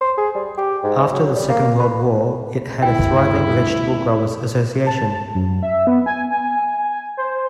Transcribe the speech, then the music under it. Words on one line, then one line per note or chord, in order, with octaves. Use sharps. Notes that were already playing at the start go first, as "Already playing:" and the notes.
After the Second World War it had a thriving Vegetable Growers Association.
C5
G#4
G3
G4
G#2
F#3
G3
A#3
B4
D2 G2 E4 G5
A5
F#2
E5
B3
G#5
G#5
C5